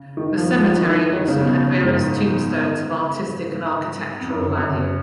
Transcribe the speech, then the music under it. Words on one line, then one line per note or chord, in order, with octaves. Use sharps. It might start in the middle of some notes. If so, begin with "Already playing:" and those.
The cemetery also had various tombstones of artistic and architectural value.
Already playing: C#3
D#3
F3
F3
D#3
D#3
C#3
B2
G#2
F2
F#2
F#2